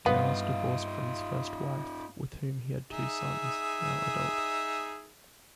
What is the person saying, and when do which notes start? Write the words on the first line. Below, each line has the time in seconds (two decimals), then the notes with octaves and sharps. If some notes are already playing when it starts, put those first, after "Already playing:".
Rowse divorced from his first wife, with whom he had two sons, now adult.
0.06 G2 B3 D#4 F4 F5
2.91 D#4 G#4 E5